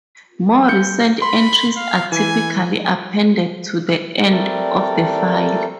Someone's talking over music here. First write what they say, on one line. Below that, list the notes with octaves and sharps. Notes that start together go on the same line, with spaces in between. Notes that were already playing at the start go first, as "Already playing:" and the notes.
More recent entries are typically appended to the end of the file.
G6 C#7
B5 C6
F5
E3 G#5
G3 A3 C4 A4 A#4 D5